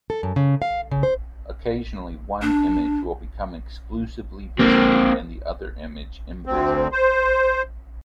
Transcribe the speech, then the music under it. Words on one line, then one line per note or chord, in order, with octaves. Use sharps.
Occasionally one image will become exclusively visible and the other image invisible.
A4
F#2
C#3
F5
C#3
C5
D4
A#3 C4
D2 C4
C5